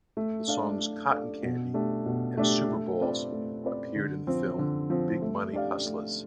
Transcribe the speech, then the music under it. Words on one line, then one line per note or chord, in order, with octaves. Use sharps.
The songs "Cotton Candy" and "Super Balls" appeared in the film "Big Money Hustlas".
A3
D4 A4 D5 F5
A3
D4 A4 D5 F5
B2
A3 D4 G4
B2
A3 D4 G4
A3
C4 F4 B4 D5
A3
C4 F4 B4 D5
D3
F3 C4
D3
F3 C4
A3
D4 G4 D5 F5
A3